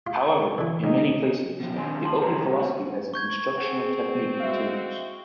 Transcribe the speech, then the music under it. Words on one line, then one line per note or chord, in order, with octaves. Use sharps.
However, in many places, the open philosophy as an instructional technique continues.
F4
D3 E3
C#2 D#4
B2 F3
D#3 C4 D4 G4 G#4 C5
A5 C6
G3 A3 D#4 F#4 A#5
B3 F#4
C#6 G6 G#6
C4 G#4 F#5
G#3 F#4 E5 F5